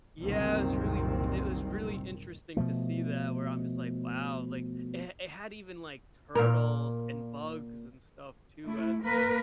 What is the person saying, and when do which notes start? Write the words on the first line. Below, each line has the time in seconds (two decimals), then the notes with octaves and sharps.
Yeah, it was really w they it was really interesting to see that where I'm just like, "Wow," like, it it had even, like, turtles and bugs and stuff too as, like
0.22 F#1 C2 A#2 D#3 C4
2.57 B2 F3 A3
6.35 A#2 A#4
8.67 A3 E4
9.04 A#3 A#4 B4